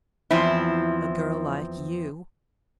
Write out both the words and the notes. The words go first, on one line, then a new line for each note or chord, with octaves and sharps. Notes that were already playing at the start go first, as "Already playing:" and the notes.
A girl like you.
E2 F3 C4 E4